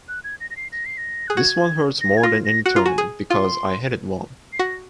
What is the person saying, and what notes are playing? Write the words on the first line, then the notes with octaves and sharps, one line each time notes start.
This one hurts more than any tournament because I had it won.
F#6
G#6
A#6
A#6
C7
A#6
C7
A#6
G#4 F#6
F#4 G#6
A#6
G#6
F4 A#6
A#6
F#4 F#6
F4 A#5
F#4 G#5
G#4
F4 C6
C7
F#4 A#6